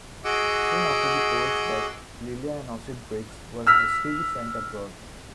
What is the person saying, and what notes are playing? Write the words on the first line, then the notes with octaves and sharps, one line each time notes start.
Soon after the poet's death, Lilya and Osip Briks were hastily sent abroad.
F#4 G#4 D#5 F#5 D6 E6
E6 F6 B6